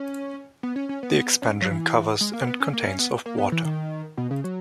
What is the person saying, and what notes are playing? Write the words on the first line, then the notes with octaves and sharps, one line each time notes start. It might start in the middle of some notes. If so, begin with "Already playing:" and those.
The expansion covers and contains of water.
Already playing: C#4
B3
C#4
C#4
B3
C#4
F#3
E3
G#3
A#3
B3
C#4
A#3
C#4
B3
A#3
B3
E3
D#3
B2
C#3
F#3